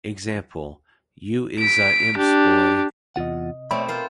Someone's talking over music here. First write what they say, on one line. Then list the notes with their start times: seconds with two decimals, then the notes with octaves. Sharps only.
Example: 'You is ah imps boy!
1.59 B6 D7
2.18 D4 G4
3.16 E2 C3 F4 D#5 F#5
3.71 B2 A3 C4 C#5 D5 E5 B5
3.88 F4 A#4 C5